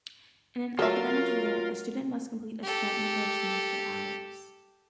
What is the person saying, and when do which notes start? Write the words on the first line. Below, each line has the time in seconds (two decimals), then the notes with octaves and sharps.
In an academic year, a student must complete a set number of semester hours.
0.79 F#3 F4 A4 A#4 E5 F5
2.63 G4 A4